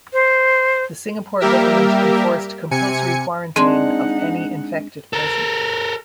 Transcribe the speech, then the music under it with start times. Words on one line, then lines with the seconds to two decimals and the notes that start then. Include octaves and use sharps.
The Singapore Government enforced compulsory quarantine of any infected person.
0.13 C5
1.40 G3 A#3 G4 A#4 E5
2.71 C3 G#5 C#7
3.56 G#3 C4 D4 D#4 F#5 C6
5.13 A4 A#4